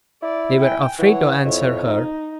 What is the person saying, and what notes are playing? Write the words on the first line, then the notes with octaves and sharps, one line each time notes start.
They were afraid to answer her.
E4 D5
G5 G#5
E3 C#5 F#5
F2 E4 C#5
D#4